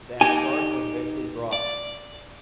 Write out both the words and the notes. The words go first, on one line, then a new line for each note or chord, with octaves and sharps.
That charge was eventually dropped.
D#4 G4 G#5
D5